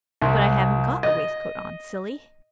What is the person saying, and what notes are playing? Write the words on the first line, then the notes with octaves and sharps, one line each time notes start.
"But I haven't got a waistcoat on, silly."
C2
D#5